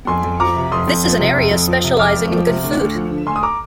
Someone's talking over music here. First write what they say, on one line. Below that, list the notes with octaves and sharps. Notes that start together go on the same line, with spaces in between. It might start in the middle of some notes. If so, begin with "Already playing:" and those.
This is an area specialising in good food.
F2 G#5 C6
F2
F3 A#5 D6
C3
F2 C6 D#6
F2
F3
C3
F2
F2
F3
C3
F2 D6 F6
F2
F3
C3
D2
D2
F3
D3
D2 G#5 C6
D#6
A#5 D6